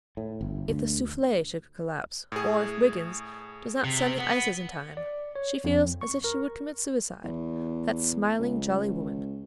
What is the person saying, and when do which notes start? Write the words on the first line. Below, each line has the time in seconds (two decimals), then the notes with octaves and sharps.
If the SOUFFLE should collapse, or if Wiggins does not send the ices in time--she feels as if she would commit suicide--that smiling, jolly woman!
0.17 A2
0.41 G1
0.68 D2
2.32 A2 G#4
3.84 C3
4.19 B3
4.97 D5
5.35 C#5
5.64 F2
6.01 C#6
6.24 A#4
7.24 E2
8.39 C#2